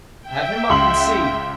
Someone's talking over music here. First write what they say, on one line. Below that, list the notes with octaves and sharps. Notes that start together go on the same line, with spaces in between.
"Have him up and see...."
E5 G5
C#2 C6 F#7